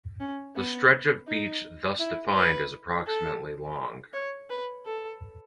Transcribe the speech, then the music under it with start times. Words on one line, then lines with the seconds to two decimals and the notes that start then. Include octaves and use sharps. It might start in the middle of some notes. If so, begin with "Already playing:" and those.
The stretch of beach thus defined is approximately long.
0.20 C#4
0.56 B3
1.28 D#4
1.99 E4
2.35 B4
3.07 A4
4.14 C#5
4.50 B4
4.86 A4